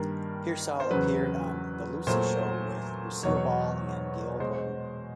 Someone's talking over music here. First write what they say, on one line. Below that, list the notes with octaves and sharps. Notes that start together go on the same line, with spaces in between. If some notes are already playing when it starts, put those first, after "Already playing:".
Piersall appeared on "The Lucy Show" with Lucille Ball and Gale Gordon.
Already playing: G2 D#3 G3 A#3 A#4
C5
E2 C#3 F#3 B4
A#2 F#3 A3 C5
E2 B2 F#3 C#5
B2 G#3 C5